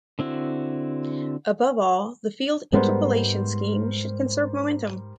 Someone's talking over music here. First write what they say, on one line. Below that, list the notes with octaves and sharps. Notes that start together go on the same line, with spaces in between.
Above all, the field interpolation scheme should conserve momentum.
D3 C4 E4 F#4
G#2 G3 G#3 B3 A#4 C5